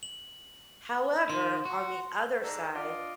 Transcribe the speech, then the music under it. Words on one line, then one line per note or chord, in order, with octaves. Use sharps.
However, on the other side,
F#7
D#3 C6
F#4
G#2 D3 A4 A#5
D4 F4 D5 D#5